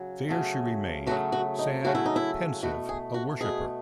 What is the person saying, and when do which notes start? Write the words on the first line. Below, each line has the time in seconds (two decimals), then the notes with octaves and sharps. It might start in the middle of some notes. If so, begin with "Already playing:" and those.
There she remained — sad, pensive, a worshipper.
Already playing: C#3 F#3
0.29 C#3 F#3 A3
1.07 C#3 F#3 A3 F#4
1.32 F#4
1.59 D#4
1.85 C#3 F#3 A3 F#4
1.95 E4
2.05 D#4
2.16 E4
2.62 B2 A3 F#4
2.89 G#4
3.14 F#4
3.41 B2 A3 G#4